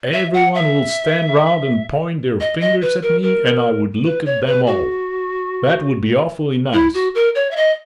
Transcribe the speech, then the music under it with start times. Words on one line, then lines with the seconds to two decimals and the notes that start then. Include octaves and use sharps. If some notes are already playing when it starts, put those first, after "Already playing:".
Every one will stand round and point their fingers at me and I would look at them all. That would be awfully nice.
0.13 E5
0.34 F#5
0.55 E5
2.40 D#5
2.61 D#5
2.82 B4
3.02 A#4
3.23 A#4
4.05 B4
4.26 C#5
4.47 B4
4.67 F#4
6.73 E4
6.94 F#4
7.15 A#4
7.35 C#5
7.51 E5
7.56 D#5